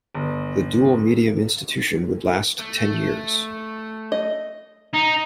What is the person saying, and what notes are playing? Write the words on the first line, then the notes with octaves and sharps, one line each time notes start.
The dual-medium institution would last ten years.
G1
A3
D#5
D#4